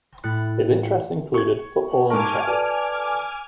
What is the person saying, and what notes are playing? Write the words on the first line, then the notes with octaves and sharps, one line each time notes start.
His interests included football and chess.
A2 E4 F#6 A6 C#7
C#6 G#6
G#2 A#4 G#5 A5 C#6 D6 F6
F#4 A4 B4 D5 A5